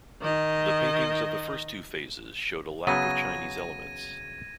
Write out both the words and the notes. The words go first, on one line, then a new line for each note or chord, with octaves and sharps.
The paintings of the first two phases showed a lack of Chinese elements.
D#3 D#5
C#3 F#3 B3 G#6 A#6 D#7